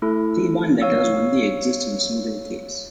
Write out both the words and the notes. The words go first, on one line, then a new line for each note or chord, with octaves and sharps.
Theban letters only exist in a single case.
A3 E4 A4
C#5 F5 E6